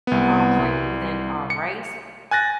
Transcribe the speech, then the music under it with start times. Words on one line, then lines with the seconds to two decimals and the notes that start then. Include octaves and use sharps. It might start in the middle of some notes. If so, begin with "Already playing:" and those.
um, for you than, uh, rice,
0.07 C2 B3
0.59 C2
1.50 C#7
2.31 G#5 F#6 A6 A#6